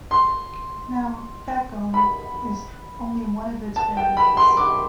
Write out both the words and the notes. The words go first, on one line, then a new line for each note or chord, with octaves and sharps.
Now, Bacong is only one of its barangays.
C6
B5
A5
G5
B5
C6
D6